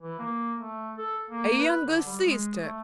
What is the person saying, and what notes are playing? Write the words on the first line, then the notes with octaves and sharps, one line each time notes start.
A younger sister!
E3
A#3
A3
A4
A#3
B4
D3
G3
G#3
A3